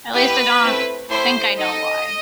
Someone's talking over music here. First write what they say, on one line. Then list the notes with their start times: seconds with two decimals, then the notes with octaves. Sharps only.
At least I don't think I know why.
0.14 B3 E4 G4 B4
0.62 A3 C4 E4
1.10 A3 E4 G4 C5
1.58 D#4 A4 D#5